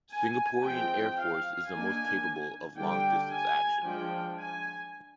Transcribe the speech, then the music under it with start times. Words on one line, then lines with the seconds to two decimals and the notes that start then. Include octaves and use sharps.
Singaporean air force is the most capable of long distance action.
0.11 G#5
0.64 F3 G#3 C4 G5
1.18 F5
1.71 D#3 A#3 D4 G#5
2.77 D3 G3 D4 G5
3.30 G#5
3.83 F3 G#3 D4 G5
4.37 G#5